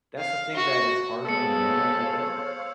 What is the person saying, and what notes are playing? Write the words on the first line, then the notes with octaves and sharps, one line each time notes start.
that's the thing that is hard for me to forgive
F5
F#4
G#3 B3 A4 C5 C#5 F5 E6 C#7